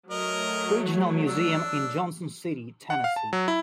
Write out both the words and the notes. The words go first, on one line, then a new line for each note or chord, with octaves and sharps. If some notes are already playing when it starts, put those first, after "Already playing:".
Regional Museum in Johnson City, Tennessee.
F#3 A3 A#4 D#5
D4 E6
F#5
F5
A5
F#3
E4